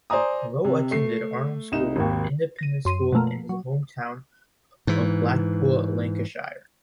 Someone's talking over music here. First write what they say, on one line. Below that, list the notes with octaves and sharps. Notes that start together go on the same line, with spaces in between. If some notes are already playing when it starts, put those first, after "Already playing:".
Lowe attended Arnold School, an independent school in his home town of Blackpool, Lancashire.
C5 D5 G#5 A#5 D#6
C3
A3 C7
C2 D#4 E7
G#1 D#2
A#6 D#7
F#2 C6 D#7
B2 F3 A3 A#3
F#3
G#2 E3